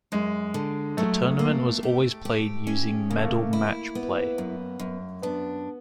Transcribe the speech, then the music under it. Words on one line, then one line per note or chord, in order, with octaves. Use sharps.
The tournament was always played using medal match play.
F#2 G#3
D3
F#3 A3
A#3
G4
G4
C#4
C#3 A#3
A3
A#3
E4
B3
F#2
F#2
B3 D4